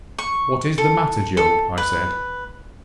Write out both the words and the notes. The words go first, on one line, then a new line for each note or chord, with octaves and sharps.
"What is the matter, Job?" I said.
C#6
A4
A4
B4